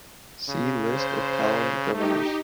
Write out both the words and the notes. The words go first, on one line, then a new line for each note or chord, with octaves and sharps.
See List of Halland Governors.
C#3
C5
A3 D#4 G4